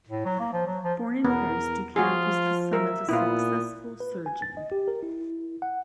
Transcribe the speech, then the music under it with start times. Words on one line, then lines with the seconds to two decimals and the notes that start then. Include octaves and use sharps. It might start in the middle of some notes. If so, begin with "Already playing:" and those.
Born in Paris, Du Camp was the son of a successful surgeon.
0.09 A2
0.25 F#3
0.39 A#3
0.53 F3
0.67 F#3
0.84 F3
1.25 E2 B3 A#4
1.96 F3 F4 F#4 G#4
2.73 A#4 E5
3.09 A#2 B3 E4 F4
4.00 B4
4.26 G#5
4.42 A6
4.57 D#5
4.72 G4
4.88 A#4
5.03 E4
5.62 F#5